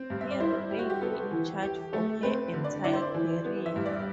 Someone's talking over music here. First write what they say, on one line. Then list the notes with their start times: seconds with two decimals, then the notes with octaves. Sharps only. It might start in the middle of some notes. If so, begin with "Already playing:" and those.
He remained in charge for her entire career.
Already playing: C4
0.10 G2
0.21 E5
0.31 D5
0.40 E4 C5
0.71 G3
0.79 F#4
0.90 G4
1.02 B3 A4
1.31 E3
1.62 G4
1.93 A3
2.23 C4 B4
2.54 D3
2.64 D5
2.84 E4 D5
2.93 C5
3.02 D5
3.14 E3
3.45 B3
3.66 E5
3.76 G2
3.86 D5